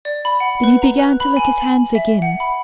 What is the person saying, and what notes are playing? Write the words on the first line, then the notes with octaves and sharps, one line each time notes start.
Then he began to lick his hands again.
D5
B5
F#5
B4
A#5
F#6
B5
G#5
F#7
E5
F#5
B5